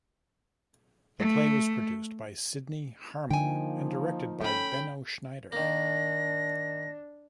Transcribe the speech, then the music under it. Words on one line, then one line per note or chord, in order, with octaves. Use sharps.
The play was produced by Sidney Harmon and directed by Benno Schneider.
A3
D3 F3 A#3 D#4 G5 G#5
A3 C#4 G5 B5
D#3 A#3 D4 A#6